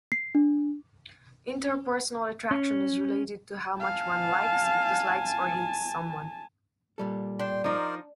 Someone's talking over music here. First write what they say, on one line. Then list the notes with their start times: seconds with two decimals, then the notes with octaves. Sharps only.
Interpersonal attraction is related to how much one likes, dislikes or hates someone.
0.12 C7
0.35 D4
2.51 C#4
3.80 F5 G#5 A5
6.98 A#2 G3 A4
7.39 D4 G5 C6
7.64 F3 D#4 A#4 C5 D5